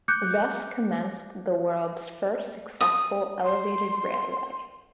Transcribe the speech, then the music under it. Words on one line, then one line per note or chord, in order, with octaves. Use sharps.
Thus commenced the world's first successful elevated railway.
D6 F#6 G6 C#7
D#6
C6